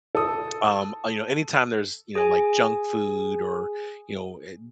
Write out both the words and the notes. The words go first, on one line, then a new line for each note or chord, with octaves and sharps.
um, uh, you know, anytime there's, you know, like, junk food, or, you know, eh,
A4 D#6
G#4 G#5